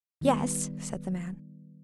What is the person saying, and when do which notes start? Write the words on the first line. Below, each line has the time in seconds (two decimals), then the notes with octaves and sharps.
"Yes," said the man.
0.21 D#3 G3 B3